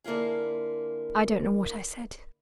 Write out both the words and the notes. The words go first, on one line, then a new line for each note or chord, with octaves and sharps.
I don't know what I said.'
D3 A#3 E4 F4 G#4